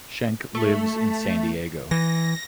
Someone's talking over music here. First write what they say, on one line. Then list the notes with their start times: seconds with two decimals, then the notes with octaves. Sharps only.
Schenk lives in San Diego.
0.55 A3
1.91 E3 A#6